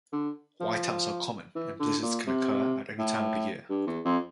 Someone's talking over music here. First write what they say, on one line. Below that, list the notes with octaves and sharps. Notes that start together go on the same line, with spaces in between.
Whiteouts are common, and blizzards can occur at any time of the year.
D3
F3
E3
D3
A#2
C3
A2
G2
E2
F2